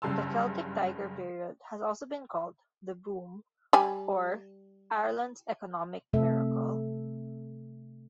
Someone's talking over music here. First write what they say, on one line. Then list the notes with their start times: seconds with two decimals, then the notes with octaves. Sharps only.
The Celtic Tiger period has also been called "The Boom" or "Ireland's Economic Miracle".
0.02 F#1 G2 C#3 A5 C6 E6
3.73 G3 G#5
6.13 C3 A3 A4 E5